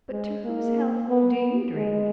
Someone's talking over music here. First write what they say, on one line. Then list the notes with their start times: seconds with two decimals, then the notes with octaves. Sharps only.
But to whose health do you drink?'
0.12 G#3
0.44 A#3
1.08 B3
1.75 G#3